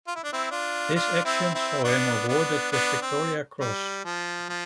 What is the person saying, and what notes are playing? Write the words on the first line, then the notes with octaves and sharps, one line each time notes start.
This action saw him awarded the Victoria Cross.
F4
E4
D4
C4 E4
D4 F4
D4 F4
C4 E4
C4 E4
B3 D4
B3 D4
B3 D4
C4
G3
F3
F3